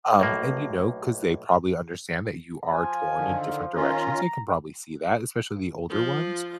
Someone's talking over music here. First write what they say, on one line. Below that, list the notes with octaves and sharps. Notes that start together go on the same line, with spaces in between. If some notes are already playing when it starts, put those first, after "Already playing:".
Um, and, you know, 'cause they probably understand that you are torn in different directions, they can probably see that, especially the older ones.
B1 A2 A#3
F3 G#5
D3 D#3
D#3 C#4 F4 A#5
F3 F4